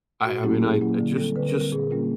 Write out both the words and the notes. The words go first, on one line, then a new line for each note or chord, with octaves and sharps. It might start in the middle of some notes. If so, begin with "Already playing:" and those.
I I mean, I I just just
A#2 F#4
F#3 A#3 C#4 E4 G4
A#2 G#4
F#3 A#3 C#4 E4
D3
G3 C4 A4
D3 B4
A#4
G3 C4
A#4
A#2 G#4
G3 A#3 C#4 F4